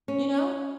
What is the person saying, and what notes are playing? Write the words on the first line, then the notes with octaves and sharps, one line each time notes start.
You know?
C#4